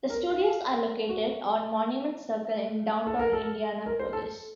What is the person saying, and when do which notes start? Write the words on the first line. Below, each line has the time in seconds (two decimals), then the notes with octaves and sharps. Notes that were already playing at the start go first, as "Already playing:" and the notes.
The studios are located on Monument Circle in downtown Indianapolis.
0.10 A#4
0.30 F5
1.09 F#4
3.07 A4
3.19 A#4
3.33 A4
3.86 A#4
3.99 C5
4.13 A4